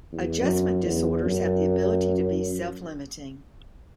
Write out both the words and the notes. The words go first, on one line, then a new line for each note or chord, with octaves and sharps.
Adjustment disorders have the ability to be self-limiting.
E2
F#2
E2
F#2